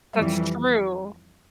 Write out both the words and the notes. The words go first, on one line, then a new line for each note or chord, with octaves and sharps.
That's true,
F2 E3 G3